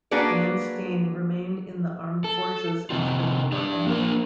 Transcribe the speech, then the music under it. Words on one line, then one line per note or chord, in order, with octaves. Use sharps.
Manstein remained in the armed forces after the war ended.
A#3 D4 F#4 G#4 B4 D5
A4
C3 D#3 C4 D#4 F4
D4 G4 D5
A#3 D4 A#4 C5